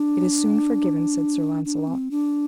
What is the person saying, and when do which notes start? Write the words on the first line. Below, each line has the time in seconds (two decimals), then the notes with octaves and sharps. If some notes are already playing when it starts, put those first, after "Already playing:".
It is soon forgiven, said Sir Launcelot.
Already playing: D4
1.65 D4
1.87 C4
2.11 D4